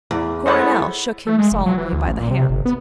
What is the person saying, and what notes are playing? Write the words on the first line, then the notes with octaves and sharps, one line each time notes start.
Coronel shook him solemnly by the hand.
E2
G#3 A3 B3 C5 C#5 D#5 F#5
A3
G#3
F1
F#3
E3
D2
A1
A#2
C3
G1
B3